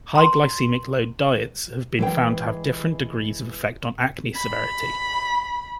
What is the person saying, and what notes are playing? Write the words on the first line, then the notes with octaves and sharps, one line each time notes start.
High-glycemic-load diets have been found to have different degrees of effect on acne severity.
A#5 C6
E3 G#3 G5
B5